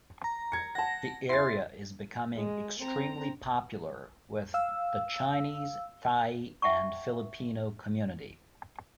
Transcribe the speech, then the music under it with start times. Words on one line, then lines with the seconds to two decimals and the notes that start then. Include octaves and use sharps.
The area is becoming extremely popular with the Chinese, Thai and Filipino community.
0.24 A#5
0.52 G#6 C#7
0.75 F#5 A5 A#6
1.29 E4 C6 A6
2.35 G#3
2.80 C4 A#5
4.54 F5 E6
6.62 E5 F#5 G5 A5 C#6